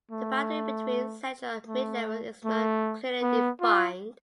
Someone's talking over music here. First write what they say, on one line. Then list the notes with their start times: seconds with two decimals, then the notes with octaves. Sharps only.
The boundary between Central and Mid-levels is not clearly defined.
0.11 A3
1.67 A3
2.45 A3
3.23 B3
3.61 F4